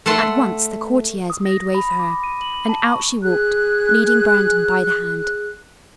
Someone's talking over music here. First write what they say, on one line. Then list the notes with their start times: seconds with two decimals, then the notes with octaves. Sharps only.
At once the courtiers made way for her, and out she walked, leading Brandon by the hand.
0.06 A3 F#5 A5 C6
1.30 D#6
1.46 A#6
1.74 B5
1.99 D6
2.24 D#7
2.41 F#7
2.69 A5
2.84 C#6
3.23 G#4 F#6